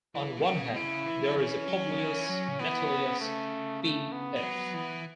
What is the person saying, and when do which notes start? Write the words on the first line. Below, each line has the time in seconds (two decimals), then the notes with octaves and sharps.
On one hand there is a Publius Metilius P.f.
0.15 E3
0.37 B2
0.45 C#3
0.68 B2
0.76 C#3 E4
1.06 E3
1.26 F#3
1.37 E3 C#4
1.68 F#3
1.90 C#3
1.98 E3
2.29 F#3
2.48 C#3
2.59 E3 B3
2.90 C#3
3.20 A3
3.82 A3
4.12 B3
4.36 E3
4.43 F#3
4.74 E3